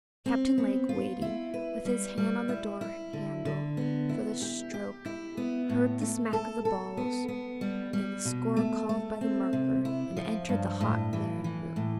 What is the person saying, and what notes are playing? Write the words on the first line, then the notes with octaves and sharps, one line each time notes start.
Captain Lake, waiting, with his hand on the door-handle, for the stroke, heard the smack of the balls, and the score called by the marker, and entered the hot, glaring room.
C4
B3
F4
E4
B4
G3
G3
E4
E4
D3
D3
B3
E4
G4
G4
E4
B3
A2
A3
A4
A4
B3
B3
G3
G3
B2
A3
A3
C4
C3
E4
F3
G2
A2
E3
E3
A2